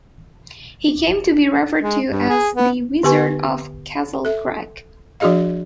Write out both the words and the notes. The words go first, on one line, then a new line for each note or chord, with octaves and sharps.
He came to be referred to as "The Wizard of Castlecrag".
G#3
G2
G#4
B3
D3 B3 G4 B4 G#5 C#6
A4 E5
F3 D4 F#4 G#4 D#5 F5